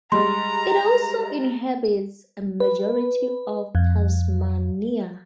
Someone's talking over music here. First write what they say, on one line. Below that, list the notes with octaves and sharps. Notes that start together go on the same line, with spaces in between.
It also inhabits a majority of Tasmania.
G3 G#3 A#5 C6
B4
F2